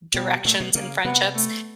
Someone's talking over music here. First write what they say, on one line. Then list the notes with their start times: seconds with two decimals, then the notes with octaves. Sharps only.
directions and friendships,
0.14 B2 G3
0.45 A#2 A3
0.60 B2
0.75 C#3 A#3
1.05 C3 B3
1.34 A3